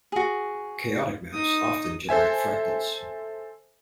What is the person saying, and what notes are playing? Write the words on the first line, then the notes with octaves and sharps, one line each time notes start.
Chaotic maps often generate fractals.
F#4 G#4
D#4 D#6
A4 C5 E5 G#5